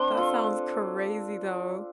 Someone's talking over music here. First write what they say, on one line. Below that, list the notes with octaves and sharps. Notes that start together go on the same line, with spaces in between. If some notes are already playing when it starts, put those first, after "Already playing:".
That sounds crazy, though.
Already playing: C4 D4 C6
F4 A4